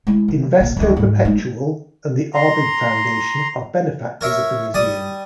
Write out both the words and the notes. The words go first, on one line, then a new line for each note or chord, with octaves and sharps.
Invesco Perpetual and The Arbib Foundation are benefactors of the museum.
G#3 E4
D#3
A#1
C#2 E3
G#2
G#3 D#4
A#5 C6
A#4 C#5 E5
G3 D5 D#6